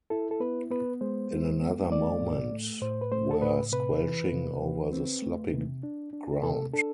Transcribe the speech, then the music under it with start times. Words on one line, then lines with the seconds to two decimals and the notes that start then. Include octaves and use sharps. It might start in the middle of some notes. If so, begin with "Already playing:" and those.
In another moment were squelching over the sloppy ground.
0.10 E4 A4
0.31 A4
0.40 B3 B4
0.70 B3 B4
1.01 G#3 C5
1.31 G#3
1.61 B3
1.92 A3 D5
2.21 A2
2.51 A3
2.82 A2 C5
3.01 B4
3.12 A3 C5
3.31 A4
3.42 A2 B4
3.72 C3 B4
4.02 E3
4.33 C3
4.62 E3
4.93 C4
5.22 A3
5.53 C3
5.83 D4
6.13 D4
6.43 C3 A4
6.74 D4 A4